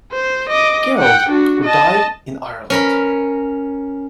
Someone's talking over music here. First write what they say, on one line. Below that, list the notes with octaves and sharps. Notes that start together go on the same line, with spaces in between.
Gerald, who died in Ireland.
C5
D#5 D6
F#5 G5
D4 F#4
D#5 A5
C#4 A#4 B5